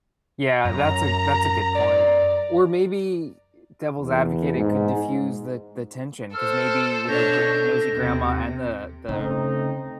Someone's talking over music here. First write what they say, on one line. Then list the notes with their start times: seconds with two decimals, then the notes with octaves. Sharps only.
Yeah, that's a that's a good point, or maybe, er, devil's advocate, it could diffuse the the tension 'cause maybe, you know, gr nosy grandma and the the
0.65 F#2 A#5
1.75 D5
4.00 E2
4.56 G#2
6.34 A4 C5 E6 F6
7.08 B2 D4 A4 C#5 G6 A#6
7.41 D4
7.94 D#2 C3
9.09 C#3 A3 C4 D#4